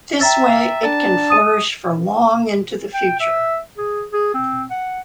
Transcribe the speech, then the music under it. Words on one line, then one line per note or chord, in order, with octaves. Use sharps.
This way it can flourish for long into the future.
E5 G5 A#5 A6
D4 A5
D#6 D#7
G5
E5
G#4
G#4
C4
F#5